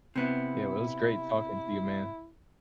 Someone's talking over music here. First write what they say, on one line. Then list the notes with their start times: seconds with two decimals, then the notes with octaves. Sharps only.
Yeah, well, it was great talking to you, man.
0.16 C3 B3 E4